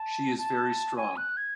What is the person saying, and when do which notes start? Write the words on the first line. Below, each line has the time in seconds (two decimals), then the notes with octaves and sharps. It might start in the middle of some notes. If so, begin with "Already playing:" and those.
She is very strong.
Already playing: A5
0.38 A5
0.97 G#5
1.17 F#6
1.37 G#6